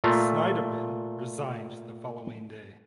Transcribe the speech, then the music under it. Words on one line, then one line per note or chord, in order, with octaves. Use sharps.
Schneiderman resigned the following day.
A#2 A3 F4 A#5